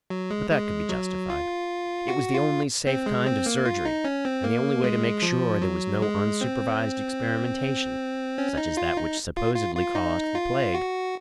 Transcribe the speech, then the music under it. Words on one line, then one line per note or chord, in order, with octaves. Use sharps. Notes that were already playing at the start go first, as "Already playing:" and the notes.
But that could be justified; it was the only safe kind of surgery and the only way to make sure there was no unsupervised experimentation, such as that which supposedly caused the plague.
F#3
G#3
G#3
F#3
F4
F#4
F4
C4
G#3
C4
A#3
F4
D#4
C#4
C4
A#3
G#3
F3
F#3
G#3
C4
C#4
D#4
F4
D#4
F4
F4
F4
D#4
F4
F#4